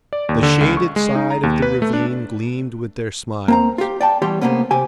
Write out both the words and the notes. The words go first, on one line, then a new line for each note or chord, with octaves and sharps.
The shaded side of the ravine gleamed with their smiles.
D5
D#2
D3
C#2
C#6
G#3
D#4
A#5
D#2
B4
A3
D4
A#3 C4 A#5
F4 G4
D5 G5 A5
E2 G3 G4 C#5 C6
A2 C3 F#3 A#3 B3 C#4
C3 G4 G#5